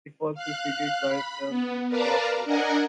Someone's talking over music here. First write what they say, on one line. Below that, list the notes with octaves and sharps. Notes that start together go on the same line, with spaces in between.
It was preceded by the Minister of Labour.
F5 F#6
B5
B3
A#4 B4 D5 F5 A5 A#5
D4 A#4 D#5 F#5 G#5 A#5